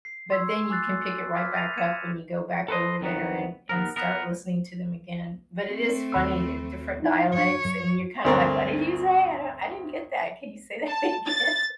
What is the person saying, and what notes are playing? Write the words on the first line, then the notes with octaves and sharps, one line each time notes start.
But then you can pick it right back up when you go back over there and and start listening to them again. But it is funny, uh, different dialects, and you're kinda like, "What did you say? I don't I didn't get that. Can you say that again?"
C7
C6 C#6 E6 G#6
G#5 D6 E6 F#6 A6 C7
B5 D6 F6 G#6 B6
G6 A6 A#6 D#7 F7
G#6 C#7 D#7 E7
A4 B4 C5 D#5
F2 D#3 F#3 B3
D#2 B3 A#4
B3 A#4
A3 C4
D#2 B5 E6
D#4 E4 D5
F#2 D4 C#5
F#2
D2 G2 C4 A#4 D5 C#6
A5
A6